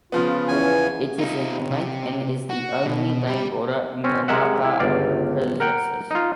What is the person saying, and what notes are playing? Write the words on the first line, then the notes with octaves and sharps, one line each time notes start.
It is in length and is the only land border Monaco possesses.
C#3 F3 B3 F4
E2 C#4 G#5
D#4 F4
C3
F#4
B2
G4 B5
C4 C#4
C3 G#3 A#4 E5 F#5
E4
G1 C#2 D5 F5
A#4 F#5 G5
D#4 F4